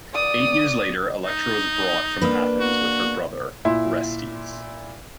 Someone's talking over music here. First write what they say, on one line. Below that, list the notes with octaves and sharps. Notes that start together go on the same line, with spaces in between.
Eight years later, Electra was brought from Athens with her brother, Orestes.
D5 D#6
D#4
A#3 D4 B4
F#4
A#2 E4 C6